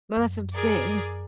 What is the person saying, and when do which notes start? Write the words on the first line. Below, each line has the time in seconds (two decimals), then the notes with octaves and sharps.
Well, that's what I'm saying and it
0.16 F#2
0.53 G#4 A#4 D5